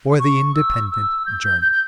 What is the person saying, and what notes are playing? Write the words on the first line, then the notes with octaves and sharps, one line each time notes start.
For the Independent Journal.
C#6
E6
E6
G6
G6
G6
G6